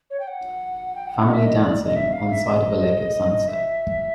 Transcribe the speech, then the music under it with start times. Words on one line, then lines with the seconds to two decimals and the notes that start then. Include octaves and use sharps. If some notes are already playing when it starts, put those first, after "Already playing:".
Family dancing on side of a lake at sunset.
0.10 C#5
0.20 G5
0.27 F#5
0.95 G5
1.07 F#5
1.20 F#5
1.28 D#5
1.33 E5
1.45 D#5
1.62 D5
1.86 D#5
1.96 E5
2.13 F5
2.30 E5
2.46 D#5
3.48 E5